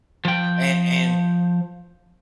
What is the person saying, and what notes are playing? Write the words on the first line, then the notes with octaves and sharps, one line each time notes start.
And and,
F3 G5